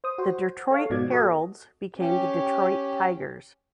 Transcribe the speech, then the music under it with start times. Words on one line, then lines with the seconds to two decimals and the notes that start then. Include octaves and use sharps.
The Detroit Heralds became the Detroit Tigers.
0.04 C5 D#6
0.18 F#4 C5
0.71 A4 C#5 F5
0.90 G#2 B2 F3 D5 D6 G#6
1.11 F#4 A4 D#5
1.97 C#4 G4